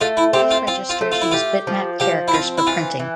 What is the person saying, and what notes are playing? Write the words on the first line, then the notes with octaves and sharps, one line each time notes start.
Cash registers use bitmap characters for printing.
A3 F4
E4
C4 G4
F4
C4 F4
F4
A3
F4
E4
F4 G4
F3
F3 G4
E4
C4 F4
E4
E3 F4
E3